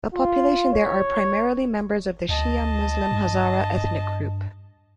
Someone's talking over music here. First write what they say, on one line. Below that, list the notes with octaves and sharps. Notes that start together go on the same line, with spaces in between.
The population there are primarily members of the Shia Muslim Hazara ethnic group.
F4
C#5
D2 D#5 A5
G2